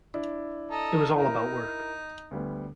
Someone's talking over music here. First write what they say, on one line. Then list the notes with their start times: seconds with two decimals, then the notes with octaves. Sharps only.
It was all about work.
0.14 D4 E4
0.71 A4 D#5 A#5
1.16 D#4 E4 A#4
2.31 D2 G3 B3